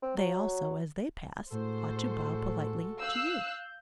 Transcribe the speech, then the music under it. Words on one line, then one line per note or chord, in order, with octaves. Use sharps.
They also, as they pass, ought to bow politely to you.
C4
F#3
A2 G#3 F#4 A4 C5
F5 E6 F#6 G6